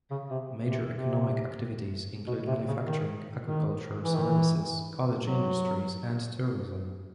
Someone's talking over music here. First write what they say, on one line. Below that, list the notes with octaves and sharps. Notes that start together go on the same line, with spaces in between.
Major economic activities include manufacturing, agriculture, services, cottage industries and tourism.
C#3
C3
C3
C3
B2
C3
C#3
D#3
D#3
E3
D#3
E3
F#3